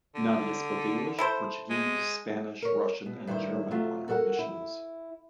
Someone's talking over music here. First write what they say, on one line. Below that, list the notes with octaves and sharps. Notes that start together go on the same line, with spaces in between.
Nadia spoke English, Portuguese, Spanish, Russian, and German on her missions.
D3
E4 A4 C5
G#3
A#4 C#5
B2
G2 D#3 G3 E4 C5
C3 F#3 A3 F4
F#4 A4 A#4 E5 F#5
E4